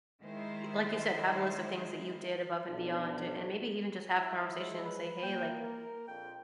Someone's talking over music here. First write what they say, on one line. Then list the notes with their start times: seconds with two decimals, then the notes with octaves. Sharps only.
y like, you said, have a list of things that you did above and beyond, and maybe even just have conversations, say, "Hey, like,
0.21 D#3 G#3 E4 C5
2.68 B1 D4
4.16 E4
4.45 E3 F#3 G#3
4.85 B4
5.23 A#3 G5
5.62 A#4
6.08 A#1 F2 G5